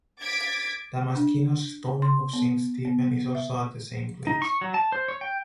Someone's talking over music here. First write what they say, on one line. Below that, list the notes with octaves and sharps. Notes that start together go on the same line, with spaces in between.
Damaskinos’s "Stoning of Saint Stephen" is also at the same place.
D6 G#6 A6 B6 D7
D4
C6
B3
B3
E5
D#4
C#6
F#3
A5
C5
C#5
G5